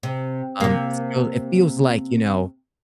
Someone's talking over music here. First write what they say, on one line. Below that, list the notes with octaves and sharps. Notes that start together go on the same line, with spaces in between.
um, it's feel it feels like, you know,
C3
C3 A#3